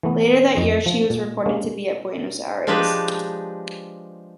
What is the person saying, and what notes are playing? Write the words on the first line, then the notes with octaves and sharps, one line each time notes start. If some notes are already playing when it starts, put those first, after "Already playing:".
Later that year she was reported to be at Buenos Aires.
E3 A3 B3
F2 D#5
F3
A#2
G#3 A#3 C#4 D4
F3 G#3 D4 D#4 G4 B4